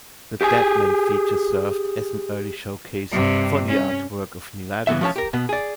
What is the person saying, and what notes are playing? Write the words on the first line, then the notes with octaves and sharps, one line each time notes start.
The "Deadman" feature served as an early showcase for the artwork of Neal Adams.
G4 G#4 F5 G#5
G2 C3
C#4
C#3 E3 B3 E5
F3 A3 C#4 C#5 A5
G4 A#4
B2 B3
G#4 D5